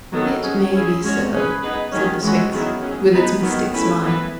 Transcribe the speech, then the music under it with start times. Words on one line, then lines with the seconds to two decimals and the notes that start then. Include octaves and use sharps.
"It may be so," said the Sphinx, with its mystic smile.
0.13 D#3 F#3 B3 F#4 A4
0.42 F#3 C#4 G#4
0.72 C#4 E4 G#4
1.02 G#3 C#4 F#4 C#5
1.32 C#4 G#4 B4
1.62 B3 D#4 G#4 B4
1.92 D#3 F#3 C#4
2.22 E3 G#3 C#4 F#4
2.52 D#3 F#3 B3 E4 G#4
2.81 F#3 C#4 G#4
3.12 B3 D#4 G#4 B4
3.42 D#3 F#3 B3
3.72 A3 C#4 E4 B4
4.02 E3 B3 E4 B4